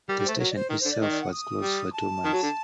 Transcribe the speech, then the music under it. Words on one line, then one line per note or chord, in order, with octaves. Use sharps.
The station itself was closed for two months.
G3 A#4
G3
C5
A3
C5
F#3 A#4
D5
C5
D#3 A#4
C5
D3
D5
D#3 D#5
D5
F#5
D#6
G3
A5
D#3
F#3
D3